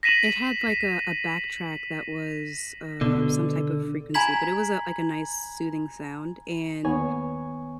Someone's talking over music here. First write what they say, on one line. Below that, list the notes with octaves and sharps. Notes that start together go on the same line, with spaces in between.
It had, like, a a backtrack that was, uh, some type of frequency, but it was a like, a nice soothing sound. And
A#6 B6 D#7 E7 F#7
B2 D3
G#5 A#5 B5 G#6 B6 F#7
D#2 B3 C#5 G#5 C#6